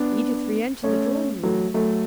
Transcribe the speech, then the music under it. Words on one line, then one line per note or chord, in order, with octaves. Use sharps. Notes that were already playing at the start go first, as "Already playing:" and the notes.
Edith re-entered the drawing-room.
Already playing: B3 D4
A3 C#4
F#3 A3
F#3 A3